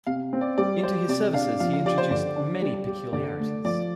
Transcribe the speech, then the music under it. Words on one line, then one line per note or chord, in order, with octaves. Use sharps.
Into his services he introduced many peculiarities.
C3 F5
C4
D5
G3 D5
G4 C5
C3 D5
D4 F5
F3 F5
F5
G4 D5
C5
D3 D5
D4
G3
G4
D3 D5
A3
F3 D5